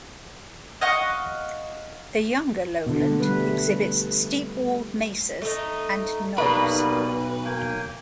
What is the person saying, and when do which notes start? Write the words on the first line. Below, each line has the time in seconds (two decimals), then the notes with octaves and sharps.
The younger lowland exhibits steep walled mesas and knobs.
0.81 D#5 F5 F#5 C#6
2.86 B2 D3
3.20 G3 A3 B4
5.42 A3 D#4
6.38 B1 B2 G3 A#3 B3 B4 B5
7.45 A#3 G5 G#5